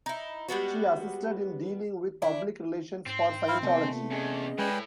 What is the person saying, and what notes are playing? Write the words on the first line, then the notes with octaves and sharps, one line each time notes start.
She assisted in dealing with public relations for Scientology.
D#4 E4
G3 G#3 B3 F#4
D4 E4
G#2 C4
E4 F5
C3 A3 B3 D#5 G#5
E2 C#4 G#4 D#5
A2 G#3 B4 D5 G5 G#5